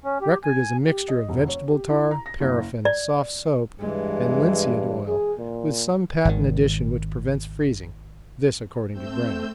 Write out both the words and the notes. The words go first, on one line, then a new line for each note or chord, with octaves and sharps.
Record is a mixture of vegetable tar, paraffin, soft soap, and linseed oil, with some patent addition which prevents freezing--this according to Gran.
C#4
G4
G#5
G4
D#5
E1
C#5
G4
E4
A#5
A#6
F#1
D5
G2 E3 G#3
G#4
A#2
G#1 D#3
A3 C4 E6 G6